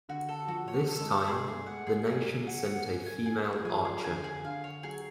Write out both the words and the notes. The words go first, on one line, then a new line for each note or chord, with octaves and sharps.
This time, the nation sent a female archer.
D3 F#4
A4
F3 F#4
C#5
F#3
A4
G#3
A4
B3 G#4
G#3
A3 G#4
G#3 F#5
G#3 G#4
F#3 G#4
G#4
F#5
F#5
G#5
G#5
G#4
G#4
F3 G#5
G#4
D3 G#5
G#4
D3 F5
C#5
F#3 G#4